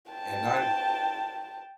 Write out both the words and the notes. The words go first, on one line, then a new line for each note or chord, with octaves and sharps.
And ni
G5 A5